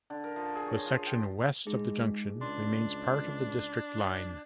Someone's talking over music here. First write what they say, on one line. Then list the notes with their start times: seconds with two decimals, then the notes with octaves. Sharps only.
The section west of the junction remains part of the District line.
0.10 D3
0.24 A#4
0.36 F3
0.55 G#4
0.67 C#5
0.86 F4
1.06 G5
1.67 G#3 D#4 G#4
2.41 C#2 D4 C6